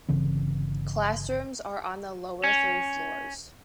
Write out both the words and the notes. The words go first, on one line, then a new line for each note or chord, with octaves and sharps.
Classrooms are on the lower three floors.
G1 C#3 E3 C4
C#4